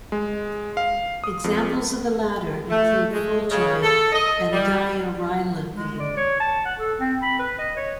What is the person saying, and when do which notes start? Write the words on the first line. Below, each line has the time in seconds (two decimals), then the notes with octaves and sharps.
Examples of the latter include fulgide and diarylethene.
0.12 G#3
0.77 F5
1.24 D#6
1.44 F2
2.69 A3
3.12 G#3
3.50 C#3
3.82 A4
4.12 D#5
4.52 G3
5.74 G#3
6.00 D5
6.17 C#5
6.40 A5
6.65 F#5
6.79 A4
7.00 C4
7.22 B5
7.39 B4
7.58 D#5
7.76 C#5